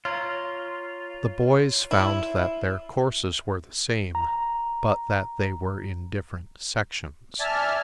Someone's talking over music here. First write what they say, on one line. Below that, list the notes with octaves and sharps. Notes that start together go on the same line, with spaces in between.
The boys found that their courses were the same but that they were in different sections.
F4 C#5 A#5
E4
A#5
D5 E5 G#5 A5 F6